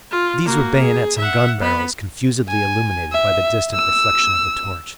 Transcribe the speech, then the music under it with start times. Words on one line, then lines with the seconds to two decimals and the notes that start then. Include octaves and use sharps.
These were bayonets and gun-barrels confusedly illuminated by the distant reflection of the torch.
0.11 F4
0.45 A#3 F#4
0.80 G#4
1.18 E5 F#5
1.60 B3 B5
2.49 G#5
3.12 E5
3.74 E6